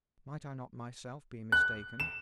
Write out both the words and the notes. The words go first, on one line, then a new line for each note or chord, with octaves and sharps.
Might I not myself be mistaken?
F#6
E7